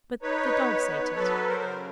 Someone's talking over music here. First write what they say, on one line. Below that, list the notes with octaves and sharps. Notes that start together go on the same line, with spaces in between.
But the dogs ate it.'
D#4 B4 C#5
B3
F#3 A4 B4
A#4 C5
C#3